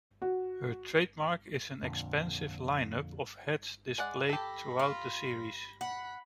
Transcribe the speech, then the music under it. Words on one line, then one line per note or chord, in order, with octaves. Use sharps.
Her trademark is an expansive lineup of hats displayed throughout the series.
F#4
F2 A#2 D3
G#3 D5 F#5
G4 A4 B5 A#6
F4
F#5 B5